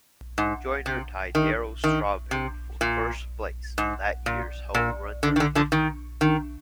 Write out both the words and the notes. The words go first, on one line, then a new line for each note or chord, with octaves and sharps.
Joyner tied Darryl Strawberry for first place in that year's Home Run Derby.
G#2
C3
D#3
D#3
C3
A#2
G#2
A#2
A#2
D3
D#3
D3
D3 F3
D#3
D#3